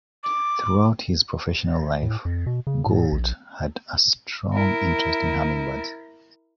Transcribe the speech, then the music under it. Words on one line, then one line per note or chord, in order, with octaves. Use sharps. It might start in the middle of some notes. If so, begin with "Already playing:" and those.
Throughout his professional life Gould had a strong interest in hummingbirds.
D6
A2
F2
B2
C#3
A2
A#1
E4 A#4